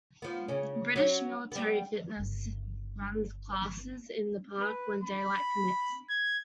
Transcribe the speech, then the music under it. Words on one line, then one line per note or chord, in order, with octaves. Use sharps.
British Military Fitness runs classes in the park when daylight permits.
F3 B3
C#3 C#4
F#3 C#4
G3 B3
G1 C#3
B4
B5
G#6